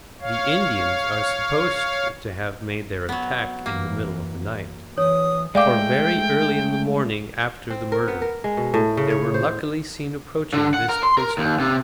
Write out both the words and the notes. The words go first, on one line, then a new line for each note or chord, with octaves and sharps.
The Indians are supposed to have made their attack in the middle of the night; for very early in the morning after the murder, they were luckily seen approaching this posta.
C#5 F5
F#3 B3
F#2 E3 A#3
E3 C#5 D#6
G#3 A3 D5 F5 G5 D6
C4
A#4
B3
A#4
G#3
B2
A2
C#3
C#5
C5
D3
F#5
A#4
C6
A#4
D#2
C3